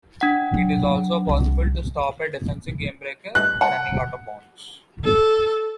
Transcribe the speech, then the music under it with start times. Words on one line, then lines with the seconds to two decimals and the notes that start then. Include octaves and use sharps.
It is also possible to stop a defensive gamebreaker by running out of bounds.
0.21 D4 F#5
0.54 F#3
1.27 C2 F2
3.35 F#6
3.61 F#5
5.04 A4